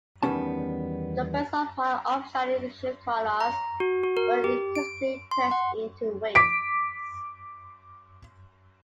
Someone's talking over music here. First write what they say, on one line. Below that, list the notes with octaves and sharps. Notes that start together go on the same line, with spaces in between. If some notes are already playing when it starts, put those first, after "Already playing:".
The points of high upstanding shirt collars were increasingly pressed into "wings".
E2 D#3 G3 B3 C#4 A5
A#5
F#4
F#4
A#4
G4
D7
C6
F#5
D6 B6 D7